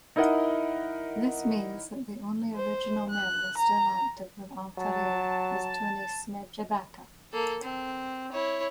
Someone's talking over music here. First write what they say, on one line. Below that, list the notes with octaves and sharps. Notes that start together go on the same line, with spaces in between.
This means that the only original member still active with Altaria is Tony Smedjebacka.
D#4 E4 A#4 D#5 F#5
C5
F#6
A#5
F#3 A5
A#3 A4
C4
E4 C#5